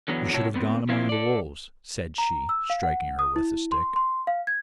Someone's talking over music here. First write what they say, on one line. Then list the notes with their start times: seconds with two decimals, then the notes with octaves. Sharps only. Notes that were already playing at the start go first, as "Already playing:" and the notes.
'You should have gone among the wolves,' said she, striking her with a stick.
0.08 D3 E3 F#3 B3
0.33 A2 C3 F#3 E4 C#5 A5
0.54 D3 B3 C4
0.89 F3 A#3 C4 E4 F4
1.09 A4 D5
2.18 A#5
2.49 E6
2.70 F5
2.83 F#5
3.19 D#6
3.36 E4
3.72 C6
3.96 C6
4.27 F5
4.47 G#6